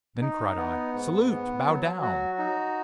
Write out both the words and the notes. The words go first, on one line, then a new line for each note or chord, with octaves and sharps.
Then cried I, "Salute! Bow down!"
D#4
B3
G#2
B3
F#3
F#4
D#4